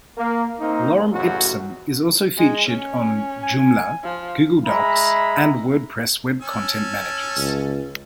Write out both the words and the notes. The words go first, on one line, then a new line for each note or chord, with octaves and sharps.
Lorem ipsum is also featured on Joomla!, Google Docs, and WordPress web content managers.
A#3
A#3 C4 D#4
A1 F#2 C#3 F#4
G#3
C#4
G#5
F3
G#3 E5 A#5 B5
C#4 A5 E6
C#2